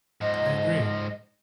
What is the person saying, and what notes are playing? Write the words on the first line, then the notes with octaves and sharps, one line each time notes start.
I agree.
G#2 F3 D#5